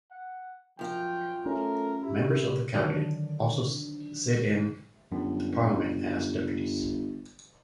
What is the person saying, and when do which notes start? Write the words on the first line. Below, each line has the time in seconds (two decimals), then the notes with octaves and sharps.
Members of the cabinet also sit in the parliament as deputies.
0.11 F#5
0.79 F#2 F3 F4 G5
1.46 A3 C#4 A#4
2.03 E4 G4
2.74 D3 D#3 F#3 D4
5.12 G1 F#2